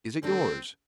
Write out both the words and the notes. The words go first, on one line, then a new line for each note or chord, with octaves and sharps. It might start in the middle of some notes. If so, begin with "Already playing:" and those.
"Is it yours?"
F2 D3 A3 C4 D4 A4